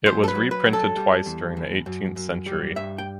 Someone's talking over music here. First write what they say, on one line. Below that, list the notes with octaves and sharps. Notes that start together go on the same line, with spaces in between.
It was reprinted twice during the eighteenth century.
F#3 C5
A4
B4
F#3
B4
F#3
A4
G3
E2
E2
F#2
F#2
G3
G2 E5
G5